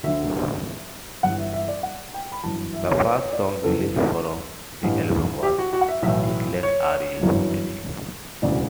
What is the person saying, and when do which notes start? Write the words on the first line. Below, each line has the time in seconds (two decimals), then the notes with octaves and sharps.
The first song released from the album was titled Are You Ready?
0.03 D2 D3 E5
1.23 G1 G2 E3 F#5
1.38 E5
1.53 E5
1.68 D5
1.83 F#5
2.14 G5
2.32 B5
2.43 G1 F#2 E3 A5
2.74 E5
2.88 C#5
3.04 B4
3.18 C#5
3.33 D5
3.48 B4
3.63 F#1 E2 C#3 E3 A4
4.83 A1 G2 E3
5.43 G4
5.58 F#4
5.73 F#4
5.81 F#5
5.88 E5
6.02 B1 A2 E3 E5
6.63 C#5
7.22 G1 F#2 E3
8.42 E1 D2 C#3 E3 D5